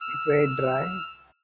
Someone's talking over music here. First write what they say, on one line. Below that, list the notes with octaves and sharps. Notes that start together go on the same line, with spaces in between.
It weighed dry.
E6 F6